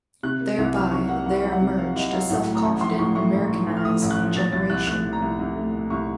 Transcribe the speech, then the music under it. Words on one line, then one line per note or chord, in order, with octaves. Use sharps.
Thereby there emerged a self-confident Americanized generation.
C3 F#6
A#3
C2
F#3 F6
C3 C#6
A#3 F#5
C2 F#5
F#3
F#5
C3
A#3 F5
C2 D#5
F#3 F5
A2 F#5
A3
A#5
A1
F3 C6
A2 C#6
A3 C#6
A1
F3
A2
F6
A3 D#6
A1
F#6
F3
A#2 A6
C2 A6
C2 F#6
A3 F#6
A#2
A#5
C2
C2
A3
A#2
C2 C#6